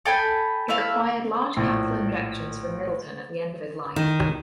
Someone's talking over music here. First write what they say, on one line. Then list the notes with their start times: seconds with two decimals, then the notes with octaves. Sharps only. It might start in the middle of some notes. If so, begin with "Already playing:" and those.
It required large capital injections from Middleton at the end of his life.
0.06 A4 G5 G#5 B5
0.68 A3 E4 E5 F5
1.57 A#1 A2
3.96 D#3